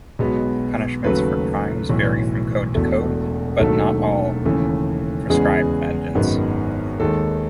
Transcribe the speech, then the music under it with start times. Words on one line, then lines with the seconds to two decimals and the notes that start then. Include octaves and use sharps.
Punishments for crimes vary from code to code, but not all prescribe vengeance.
0.19 B1 B2 G#3 B3
1.04 D#2 C#3 F#3 A3 B4
1.90 B1 A2 E3
2.75 E1 E2 B2 A3
3.60 E1 D#2 D#3 F#3 A3 A4
4.45 D#2 C#3 E3 A3
5.30 E2 C#3 G#3 B3 G#4
6.15 G#1 F#2 D#3 G#3 B3
7.00 D#2 D#3 G#3 A4